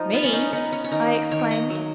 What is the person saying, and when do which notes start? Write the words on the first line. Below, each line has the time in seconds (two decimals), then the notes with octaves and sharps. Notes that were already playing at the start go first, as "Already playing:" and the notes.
"Me!" I exclaimed.
Already playing: F3 D#4
0.13 B3 F4
0.24 C#4
0.33 D#4
0.53 B3 D#4
0.72 C#4
0.84 C#4
0.92 D#3 D#4
1.31 D#3 C#5
1.51 D#5
1.70 F#3